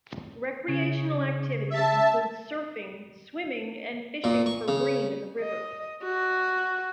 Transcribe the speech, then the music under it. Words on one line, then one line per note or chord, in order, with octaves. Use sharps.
Recreational activities include surfing, swimming and fishing for bream in the river.
C#3
E5 A5
A#2
C#6
C#3
D#5
F#4